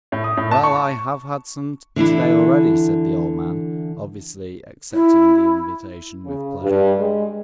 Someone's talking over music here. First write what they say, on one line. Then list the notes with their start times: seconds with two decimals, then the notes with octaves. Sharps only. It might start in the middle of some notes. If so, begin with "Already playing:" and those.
"Well, I have had some today already," said the old man, obviously accepting the invitation with pleasure.
0.12 A2
0.24 D#6
0.37 A2
0.51 A5
0.63 C#6
1.96 D3 E3 D4 E4
4.93 E4
6.26 C#3
6.62 G2
6.99 G#3